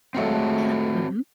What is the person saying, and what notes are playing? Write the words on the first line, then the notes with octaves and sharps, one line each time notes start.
Yeah. Mhm.
F2 G#3 A3 C4 F#4 C#5